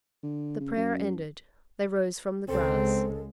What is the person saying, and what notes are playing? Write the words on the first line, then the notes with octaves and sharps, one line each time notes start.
The prayer ended, they rose from the grass.
D3
C#3
F#2
C#2 C#3 G#3 C4 A4